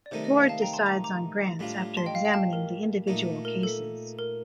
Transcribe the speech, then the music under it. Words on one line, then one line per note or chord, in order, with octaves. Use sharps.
The Board decides on grants after examining the individual cases.
D5
C3 D#3 A3 D#4 C5
D#5
F5
F5 A5
G5 A#5
A5 C6
A#5 D6
A#5 D6
A2 G3 D4 F4
A5 C6
D#5 G5
F5
D#5 G5
F5 A5
A#4
A#2 A3 D#4
A#4
A4
A#4